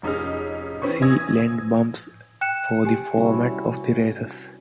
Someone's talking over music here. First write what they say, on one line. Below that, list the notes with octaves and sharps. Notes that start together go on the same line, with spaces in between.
See Lent Bumps for the format of the races.
F1 C#4 D#4 G#4 F6
E3 C4 C#4 B4 C#6
G#5 D#6 E6 G#6 A#6
G5 F#6 C#7 E7
G4 G#5
C3 G3 C4 C#4 E4 F#4